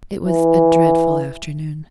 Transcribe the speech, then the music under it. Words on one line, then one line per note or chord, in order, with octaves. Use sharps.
It was a dreadful afternoon.
E3